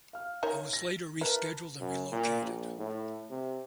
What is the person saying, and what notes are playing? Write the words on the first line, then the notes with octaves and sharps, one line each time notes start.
It was later rescheduled and relocated.
F5 F6
D#4 A#4 C#5
A#6
E4 A#4 B4 A5
F#2
A#2
A#1
A2
C3